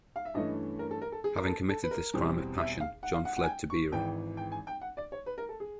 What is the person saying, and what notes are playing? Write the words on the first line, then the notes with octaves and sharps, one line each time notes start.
Having committed this crime of passion, John fled to Beira.
F5
E5
G2 E3 A3 C#4 D#5
A#4
A4
A#4
A4
G#4
A#4
A4
A4
B4
A#4
E2 B2 G3 C4
E5
F5
F#5
F5
F#5
F#5
G#5
G5
C#6
G#1 G#2 E3 G5
G5
G#5
G5
F#5
D5
C#5
B4
A#4
A4
G#4